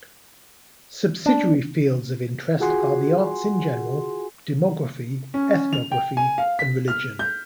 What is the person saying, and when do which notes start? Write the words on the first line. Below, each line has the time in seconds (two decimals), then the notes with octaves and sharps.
Subsidiary fields of interest are the arts in general, demography, ethnography and religion.
1.26 D4
2.60 F4 F#4 G#4 F#5 G#5 C6
5.34 C#4
5.73 F7
5.92 G5
6.17 G#5
6.38 F5
6.59 B6
6.88 F6
7.19 G6